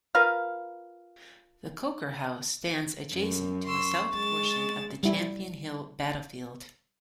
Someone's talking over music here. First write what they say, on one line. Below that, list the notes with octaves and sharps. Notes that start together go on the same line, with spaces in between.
The Coker House stands adjacent to a south portion of the Champion Hill battlefield.
F4 A#4 B4 F5
F#2
C6 C#6 E6
G#3 A6 E7
G3 E4